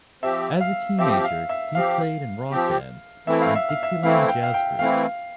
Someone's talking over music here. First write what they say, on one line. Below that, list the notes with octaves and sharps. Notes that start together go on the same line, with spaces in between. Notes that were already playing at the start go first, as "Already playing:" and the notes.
As a teenager, he played in rock bands and dixieland jazz groups.
F3 C4 G4 E5
F5
F3 C4 G4 E5
F5
E5
F3 C4 G4 F5
F3 C4 G4
E3 A3 C4 E4 E5
F5
E5
F5
E5
E3 A3 C4 E4 F5
G5
F5
G5
E3 A3 C4 E4 F5